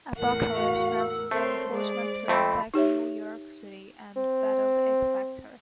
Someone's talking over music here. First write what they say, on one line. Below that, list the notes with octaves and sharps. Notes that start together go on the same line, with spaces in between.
Apocalypse sent the Horsemen to attack New York City, and battled X-Factor.
E2 A2 A#4 F#5
F#4 F5 C#6
E6
A3 C4 A#4 C5 C#5 C6
G#3 G#4 D5
F2 A3 C4 B5
D#4 G4 C#5 E5
C4